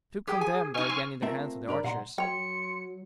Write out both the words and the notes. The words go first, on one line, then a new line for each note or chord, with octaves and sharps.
The two condemned are again in the hands of the archers.
G4 G#4 G5
G#5
C#3 D#4 G#5 C#6 F6
C4
A3 C4 F4 A#4 E5
G2 D4 A#4 B5
B1 A#2 F5 F#5 A#5 C6
F#3 C#5 G5 C6 C#7